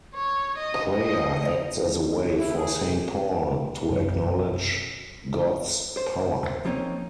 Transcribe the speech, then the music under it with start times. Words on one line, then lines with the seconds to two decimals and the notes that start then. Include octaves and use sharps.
Prayer acts as a way for Saint Paul to acknowledge God's power.
0.15 C#5
0.58 D#5
0.94 D#5
2.20 C#3
2.36 E4
2.55 G#4
2.83 C3
3.88 F1 B1 F#2
5.97 C5
6.65 F3 G3 A#3 C4 C#4 D#4